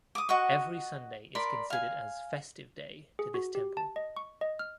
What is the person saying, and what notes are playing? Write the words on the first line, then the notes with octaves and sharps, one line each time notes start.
Every Sunday is considered as festive day to this temple.
D6 D#6
F#4 D#5 F#5 C#6
A#4 D5 B5 C6
F5 G#5
G#4
F#4
G4
A5
D#5
C#6
D#5
F6